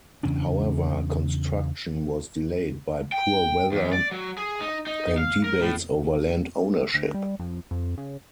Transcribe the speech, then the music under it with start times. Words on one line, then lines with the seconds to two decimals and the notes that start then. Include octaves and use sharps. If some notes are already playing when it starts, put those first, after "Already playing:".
However, construction was delayed by poor weather and debates over land ownership.
0.23 E2 C#3 C#4 D4
3.12 G5
3.72 E2
3.93 D5
4.11 F#3
4.38 G#4
4.61 D#4
4.87 D#4
5.18 F5
5.44 A#4
5.61 A2
6.94 D2
7.14 G3
7.40 F2
7.71 F2
7.98 C#3